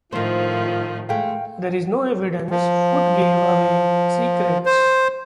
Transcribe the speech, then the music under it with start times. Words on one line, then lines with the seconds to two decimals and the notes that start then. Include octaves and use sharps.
There is no evidence Foot gave away secrets.
0.12 A2 D#3 F3 D#4 F4 C5
1.09 G#3 A3 F5 G5
2.51 F3
4.66 C5